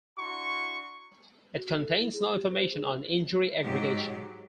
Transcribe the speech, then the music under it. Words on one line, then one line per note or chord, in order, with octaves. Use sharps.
It contains no information on injury aggregation.
D4 E4 F#4 A#5 C6 C#6
F#4
A4
E4
G#4
G4
C5
G#4
G#2 F#3 G4